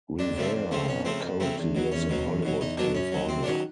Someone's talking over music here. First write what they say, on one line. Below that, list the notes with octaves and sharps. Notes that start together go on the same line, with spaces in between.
Rivera currently lives in Hollywood, California.
F2 D4
C#3 F3 A3 C4
F2
C#3 F3 A3 C4
F2 C#4
C#3 F3 A3 C4
F2
C#3 F3 A3 C4
E2
B2 F#3
E2 C#4
B2 F#3
E2
B2 F#3
E2 D#4
B2 F#3 D4
F#2 C#4
D#3 F#3
F#2 C4
D4
D#3 F#3 C#4